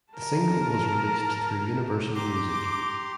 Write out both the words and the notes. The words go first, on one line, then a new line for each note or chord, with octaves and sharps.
The single was released through Universal Music.
A#4 A5
G4 A#5 C6 D6